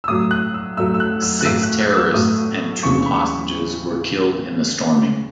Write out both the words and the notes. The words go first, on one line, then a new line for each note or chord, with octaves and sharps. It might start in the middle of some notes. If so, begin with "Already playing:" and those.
Six terrorists and two hostages were killed in the storming.
E6
A2 F#3 A3 D#6
F#6
E6
A2 F#3 A3 E6
E6
F#6
E6
F#6
A2 F#3 A3 E6
F#6
F#6
E6
A2 F#3 A3 D#6
D#2 C#3 E3 C#6
B5